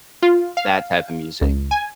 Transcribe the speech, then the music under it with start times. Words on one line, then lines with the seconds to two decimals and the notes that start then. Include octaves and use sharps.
that type of music.
0.22 F4
0.57 F5
1.41 C#2
1.71 G#5